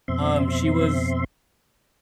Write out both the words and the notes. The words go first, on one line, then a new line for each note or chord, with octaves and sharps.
um, she was
F2 B2 C4 E5 C6